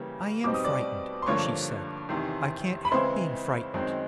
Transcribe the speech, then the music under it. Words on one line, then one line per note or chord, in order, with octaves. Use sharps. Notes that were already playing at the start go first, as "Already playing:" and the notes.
'I am frightened,' she said; 'I can't help being frightened.
Already playing: C#3 E3 G3 A#3 C#4
B2 G3 C4 D#4 D6
D#6
D5 D6
C6
G2 D3 F3 A#3 C#5 C#6
E2 C3 D#3
B5
C#3 E3 G#3 C4 E4 C5 C6
F#2 D#3 G#3 C4 D#4